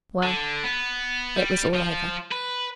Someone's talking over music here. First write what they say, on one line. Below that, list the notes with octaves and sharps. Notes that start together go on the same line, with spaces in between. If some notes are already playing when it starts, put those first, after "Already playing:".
Well; it was all over....
D3
B3
G3
F3
B4